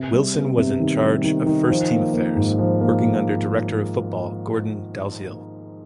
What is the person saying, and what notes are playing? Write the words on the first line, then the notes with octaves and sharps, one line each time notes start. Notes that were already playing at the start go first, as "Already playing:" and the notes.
Wilson was in charge of first-team affairs, working under Director of football, Gordon Dalziel.
Already playing: C3
G3
B3
C3
D#3
G3
D#3
D#3
F3
A#3
A#3
G#2
F3
A#3